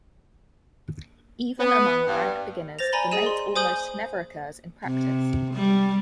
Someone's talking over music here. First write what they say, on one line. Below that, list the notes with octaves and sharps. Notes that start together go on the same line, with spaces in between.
Even among rank beginners, the mate almost never occurs in practice.
B3
G2
C5 A6 A#6 F7
D5 G#5 A#5 B5 G7
G#4 D5 D#5 D#7 E7
C6
C5 G#5 D#6 G6 F#7 G7
C3
G3